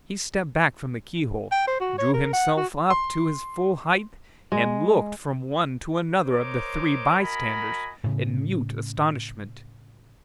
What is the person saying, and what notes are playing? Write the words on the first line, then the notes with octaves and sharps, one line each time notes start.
He stepped back from the keyhole; drew himself up to his full height; and looked from one to another of the three bystanders, in mute astonishment.
G5
C5
F#4
C#5
A#4
F#5
F#4
C6
G#3
A#4 C5 C#5 D#5 C6 D6
F#4 A#4 D#5 G#5 B5
A2 C#3